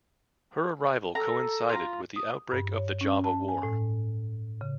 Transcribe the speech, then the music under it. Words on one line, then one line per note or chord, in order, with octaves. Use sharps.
Her arrival coincided with the outbreak of the Java War.
A4 A#5
F4 A#5
D#6
G2
C#5
C#4
A5
G#5
A2
C#3